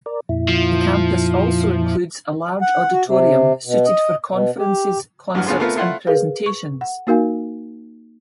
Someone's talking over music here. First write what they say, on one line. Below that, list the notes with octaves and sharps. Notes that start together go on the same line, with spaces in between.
The campus also includes a large auditorium suited for conferences, concerts and presentations.
A#4 D5
F2 A#2 E4
F3
F#5
F#4
C3
B2
D#5
B2
G4
A1 G2 F#3 F#5 F6
C#2 D3 B3 F4 G#4 C5
A3 B3 C4 F4 A#4
A3 E4 F4 C5 F#5
G#4 A#4 B4 F5
C#6
F#5
A#3 D#4 F#4 A#4 F5 G#5